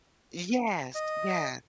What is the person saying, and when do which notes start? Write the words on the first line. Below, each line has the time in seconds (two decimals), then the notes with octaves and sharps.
Yes. Yeah.
0.95 D#5